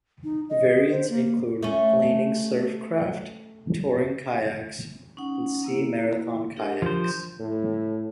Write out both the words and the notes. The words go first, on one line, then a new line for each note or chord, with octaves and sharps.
Variants include planing surf craft, touring kayaks, and sea marathon kayaks.
D#4
D#5
C5
A#3
A3 C#4
C#4 D#4 F#5
A#3 E4
D4 G4 A#4
F3 C5
A2